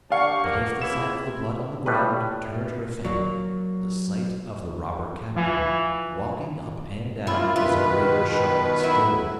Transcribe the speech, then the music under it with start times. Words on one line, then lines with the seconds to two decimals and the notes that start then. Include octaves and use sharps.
But if the sight of the blood on the ground turned her faint, the sight of the robber captain walking up and down was a greater shock still.
0.11 D4 G4 D5 F5 F#5 C#6
0.43 A#3
0.82 C#2 A#3 E4 E7
1.86 A2 G3 B4
3.05 F#3 A#3 D5
5.36 E3 F3
7.27 A#3 E4 F4
7.56 B2 D#3 F4 B4
8.80 F#3 E4